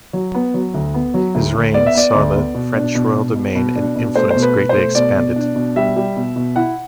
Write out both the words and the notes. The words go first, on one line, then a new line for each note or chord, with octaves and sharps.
His reign saw the French royal domain and influence greatly expanded.
F#3
B3
F#3
D2
B3
F#3
D2
D2
B3 D5
E5
B3 D5
D2
B3
B2
D4
B2
B2
B2
B2
D4
B2
A3 C5
C5
B2
B4
B2
C5
A3
B2 D5
B2
D4
B2
G3 E5
G3
B2
B2
E4 F#5